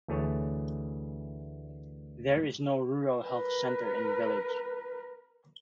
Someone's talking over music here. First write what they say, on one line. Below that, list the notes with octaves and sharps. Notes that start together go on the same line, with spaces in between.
There is no Rural Health Centre in village.
D2 E3 A3 G#4 C#5 A5
A#4 B4